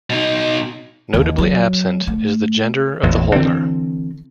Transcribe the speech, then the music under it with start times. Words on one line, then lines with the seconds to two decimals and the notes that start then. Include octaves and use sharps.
Notably absent is the gender of the holder.
0.10 B2 D#4
1.14 D#2
1.38 F#3
2.07 A3
3.03 A1 E2 A#2
3.36 D3 E3 C4